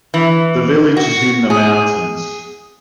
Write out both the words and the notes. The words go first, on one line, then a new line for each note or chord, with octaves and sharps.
The village is in the mountains.
E3
F#4
G#4